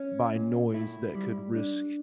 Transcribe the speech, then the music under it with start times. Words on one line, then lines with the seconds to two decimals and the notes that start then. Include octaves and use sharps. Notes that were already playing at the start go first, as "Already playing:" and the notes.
by noise that could risk
Already playing: C#4
0.34 A#2
0.74 E4
1.15 G3
1.55 D4